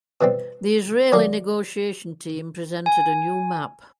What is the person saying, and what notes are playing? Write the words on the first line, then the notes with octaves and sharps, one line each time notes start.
The Israeli negotiation team presented a new map.
B2 E3 G3 C4
D#3 F#3 A#3 D4 G4
G#5